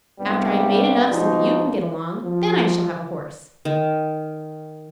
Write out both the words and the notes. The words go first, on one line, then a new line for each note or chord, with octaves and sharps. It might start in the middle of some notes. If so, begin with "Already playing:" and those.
After I have made enough so that you can get along, then I shall have a horse.
C2 G2 G3 B3
B2 F3 G#3 D#4
F3
D#3